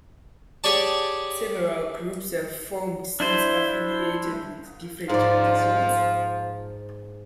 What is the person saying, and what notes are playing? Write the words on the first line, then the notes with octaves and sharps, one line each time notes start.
Several groups have formed since, affiliated with different traditions.
G4 G#4 C#5 D5 A5
D4 E4 C5
G#2 F3 D5